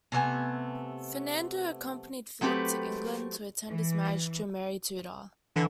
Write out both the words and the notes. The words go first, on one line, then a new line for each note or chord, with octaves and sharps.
Fernando accompanied Philip to England to attend his marriage to Mary Tudor.
C3 A3 B3 G#5
F#3 A3 C4 G4 B4
E3
D3 E3